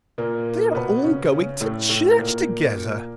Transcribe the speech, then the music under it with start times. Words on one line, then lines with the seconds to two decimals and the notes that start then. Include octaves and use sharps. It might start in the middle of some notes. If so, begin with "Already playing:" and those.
They are all going to church together.
0.18 A#2 A#3
0.75 B2 B3
1.04 C#3 C#4
1.32 C#3 C#4
1.61 A2 A3
1.89 A2 A3
2.18 A#2 A#3